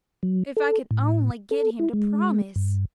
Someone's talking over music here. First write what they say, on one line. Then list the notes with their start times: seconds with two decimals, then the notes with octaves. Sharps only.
"If I could only get him to promise!"
0.23 F#3
0.57 A4
0.91 A2
1.51 A4
1.79 E4
1.93 G#3
2.56 G2